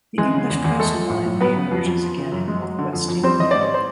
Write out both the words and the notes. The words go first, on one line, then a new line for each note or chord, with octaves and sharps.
The English coastline re-emerges again in North West England.
E3 G#3 G#4
C#3
E2
E2
G#3 A3 A4
F3
A2
A2
F#3 B3 B4
C#3
F2
F2
F3
C#3
F#2
G#3
F#3
D3
F2
F2
G3 C4 C5
E3 D#5
G#2 D5
C#5
C5